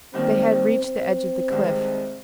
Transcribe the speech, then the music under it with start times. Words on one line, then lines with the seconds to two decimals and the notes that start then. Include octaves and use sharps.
They had reached the edge of the cliff.
0.13 D#2 D#3 G3 C4
0.82 C4
1.50 C2 C3 D#3 G#3